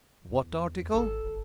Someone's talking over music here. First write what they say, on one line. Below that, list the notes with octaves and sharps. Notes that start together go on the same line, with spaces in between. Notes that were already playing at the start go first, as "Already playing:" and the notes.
"What article?"
E2
G#1 A4
G1